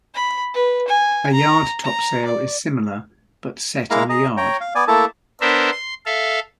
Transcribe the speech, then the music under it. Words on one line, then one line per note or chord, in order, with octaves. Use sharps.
A yard topsail is similar, but set on a yard.
B5
B4
G#5
A#5
A#5
D5
G#3 A#3 E4 F5 A#5
G#4 D#5 A#5
C#5 G5 A#5
F5
B3 D5 G#5
A3 A#3 E4 A4 E5 A5
B3 D4 A#4 C5 E5
C6
A4 E5 F5